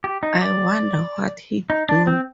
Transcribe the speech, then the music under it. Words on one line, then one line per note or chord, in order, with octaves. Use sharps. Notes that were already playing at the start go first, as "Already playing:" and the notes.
I wonder what he'd do?
G4
D#4
D5
D#4
D4
C4